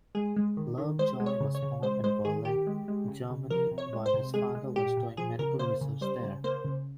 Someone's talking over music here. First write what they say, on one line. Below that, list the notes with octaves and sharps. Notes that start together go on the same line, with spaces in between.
Lovejoy was born in Berlin, Germany while his father was doing medical research there.
G#3 G#4
G#3
D#3
D#3
G#3 C5
G#3
C#5
C#3
C#5
C#3
G#3 C5
G#3 C5
D#3 G#4
D#3 G4
G#3
G#3
C#3
C#3
F3 A#4
C3
C#5
G#3
C5
C3
G#3 G#4
G#3
A#2 G4
A#2
F3 G#4
C#3 A#4
A#3 C5
C#3
G3 C5
C#3
A#3 C5
C#3